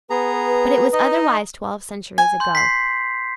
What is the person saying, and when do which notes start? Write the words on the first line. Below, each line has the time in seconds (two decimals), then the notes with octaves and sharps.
But it was otherwise twelve centuries ago.
0.10 B3 G#4 B4 A#5
0.46 B4
0.93 D#4 D#5
2.18 G#5
2.40 C6 G6
2.55 B6 C7